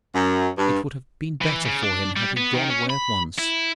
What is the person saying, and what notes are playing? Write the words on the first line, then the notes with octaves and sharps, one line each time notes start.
It would have been better for him had he gone away at once.
F#2
G2
E3
C#3
D4
G3
B3
D#3
C#4
B5
E4